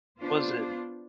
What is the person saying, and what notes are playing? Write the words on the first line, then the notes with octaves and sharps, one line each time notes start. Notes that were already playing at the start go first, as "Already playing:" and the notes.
Was it
B3 D4 F4 C5